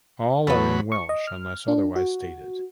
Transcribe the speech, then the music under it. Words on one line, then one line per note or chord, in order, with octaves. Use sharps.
All are in Welsh unless otherwise stated.
E2 F#3 B3 A4 B5
C#6
D#5
F6
D4
F#4